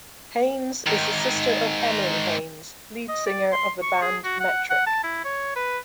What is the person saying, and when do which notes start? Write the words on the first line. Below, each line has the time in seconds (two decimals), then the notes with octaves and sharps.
Haines is the sister of Emily Haines, lead singer of the band Metric.
0.86 G#2 D#3
3.09 D#5
3.26 D5
3.52 C6
3.82 C#6
4.01 G#4
4.24 F#4
4.40 F#5
4.70 F#5
4.86 A5
5.03 E4
5.25 C#5
5.56 B4